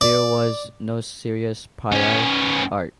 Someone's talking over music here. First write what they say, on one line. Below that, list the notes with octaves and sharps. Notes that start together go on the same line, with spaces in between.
There was no serious prior art.
D5
B3 C#4